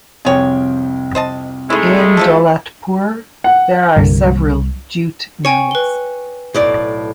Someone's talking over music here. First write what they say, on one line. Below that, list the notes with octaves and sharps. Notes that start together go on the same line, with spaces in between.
In Daulatpur there are several jute mills.
C2 F2 G#4 C#5 G5
C5 D#5 A5
G#3 A3 D#4 E4
F3 F4 A4
F#5
C2 G2 D3 A#3
C#5 G5 G#5 C#6
B4 G7
B1 A2 D5